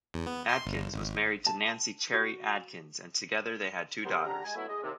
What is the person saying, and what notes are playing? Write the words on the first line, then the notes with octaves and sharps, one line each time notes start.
Adkins was married to Nanci Cherry Adkins and together they had two daughters.
E2
B3
C6
G1
G#1
A5
F#4
B3 G4 A#4 C5
D4 G4 F#5 A#5
G#3 G#5
F#3 A3 B3 E4
G#3 D#5
D#2 C3